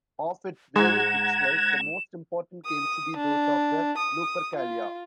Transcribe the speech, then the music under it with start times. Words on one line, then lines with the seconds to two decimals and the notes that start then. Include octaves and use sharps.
Of its various rituals, the most important came to be those of the Lupercalia.
0.76 G#2 F#5 A#5 G#6 E7
2.66 D#6
3.17 D4
3.98 D#6
4.56 F4